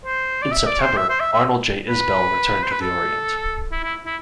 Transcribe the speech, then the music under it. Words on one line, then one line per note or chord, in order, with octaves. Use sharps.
In September, "Arnold J. Isbell" returned to the Orient.
C5
D5
E5
D5
C5
E5
C5
E5
E5
B4
C5
B4
A4
E4
E4
E4